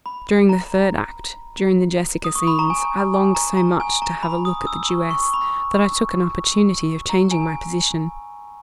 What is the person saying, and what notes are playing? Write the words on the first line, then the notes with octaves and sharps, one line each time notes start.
During the third act, during the Jessica scenes, I longed so much to have a look at the Jewess, that I took an opportunity of changing my position.
B5
A#5
D#6
C#6
B5
A#5
G#5
G#5
A#5
A#5
G#5
A#5
B5
D#6
E6
C#6
C#6
B5
A#5
G#5